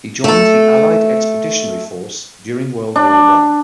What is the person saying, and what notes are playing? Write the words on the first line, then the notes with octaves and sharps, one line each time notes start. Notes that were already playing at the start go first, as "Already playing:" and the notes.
He joined the Allied Expeditionary Force during World War One.
A3 A4
D4